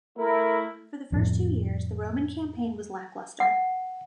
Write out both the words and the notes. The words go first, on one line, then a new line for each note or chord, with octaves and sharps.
For the first two years, the Roman campaign was lacklustre.
A3 E4 A#4
F2 A2
F#5